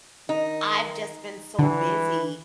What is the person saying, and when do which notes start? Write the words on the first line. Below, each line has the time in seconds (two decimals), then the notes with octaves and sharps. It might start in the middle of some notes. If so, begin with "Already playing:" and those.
I've just been so busy,
0.29 D#3 D#4
1.59 D3 E3